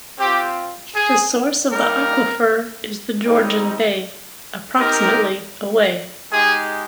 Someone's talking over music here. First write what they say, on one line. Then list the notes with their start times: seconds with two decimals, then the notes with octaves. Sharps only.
The source of the aquifer is the Georgian Bay, approximately away.
0.19 C4 F4 G4
0.95 G#4
1.72 G3 A#3 D#4 G4 A#4
3.25 G3 C4 D#4
4.78 C4 D#4 G4 A#4
6.32 G#3 D#4 G4 G#4